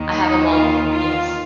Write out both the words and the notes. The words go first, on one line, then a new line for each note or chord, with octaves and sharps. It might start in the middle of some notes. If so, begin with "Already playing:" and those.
I have 'em all. Yes.
Already playing: D#2 D#3
D#4
F4
F4